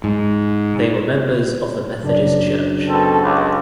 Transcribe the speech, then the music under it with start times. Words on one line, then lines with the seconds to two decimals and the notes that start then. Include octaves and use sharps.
They were members of the Methodist Church.
0.04 G#2
2.03 F#1 D4
2.88 B2 C4 A4
3.22 C#2